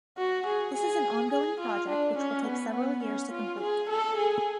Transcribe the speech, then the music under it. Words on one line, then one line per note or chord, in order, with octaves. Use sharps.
This is an ongoing project which will take several years to complete.
F#4
G#4
G#4
G#4
F4
D4
C#4
B3
B3
C#4
F4
G#4
A4
G#4